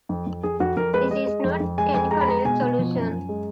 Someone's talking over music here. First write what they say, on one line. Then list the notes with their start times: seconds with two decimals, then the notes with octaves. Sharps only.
This is not a canonical solution.
0.09 F2
0.27 F2
0.43 F2 G#4
0.60 F2 F#4
0.77 F2 A#4
0.94 G#3 B4
1.11 G#3 D#5
1.27 G#3
1.44 F2
1.60 F2
1.78 G#3 G#5
1.94 F2 G#5
2.11 G#3 A#5
2.21 B5
2.28 G#3 A#5
2.45 B2 G#5
2.61 B2
2.79 F3
2.95 F#2
3.11 F#2
3.29 G#3